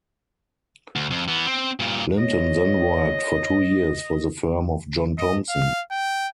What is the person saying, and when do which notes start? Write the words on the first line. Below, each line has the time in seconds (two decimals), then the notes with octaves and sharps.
Linton then worked for two years for the firm of John Thompson.
0.96 D2
1.11 F2
1.28 E3 B3
1.46 C4
1.80 G2 A#2
2.18 C#5 D#5
5.18 D#5
5.49 F5
5.91 G5